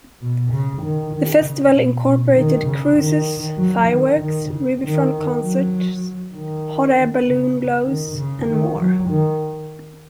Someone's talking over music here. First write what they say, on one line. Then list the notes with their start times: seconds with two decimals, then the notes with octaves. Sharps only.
The festival incorporated cruises, fireworks, riverfront concerts, hot air balloon glows, and more.
0.22 B2
0.52 C#3
0.82 D#3
1.14 D#3
1.44 C#3
1.74 B2
2.05 B2
2.36 D#3
2.66 C#3
2.97 D#3
3.58 F#3
3.89 D#3
4.20 D#3
4.50 C#3
4.81 D#3
5.42 F#3
6.34 D#3
7.25 C#3
7.86 D#3
8.17 C#3
8.48 D#3
8.79 F#3
9.09 D#3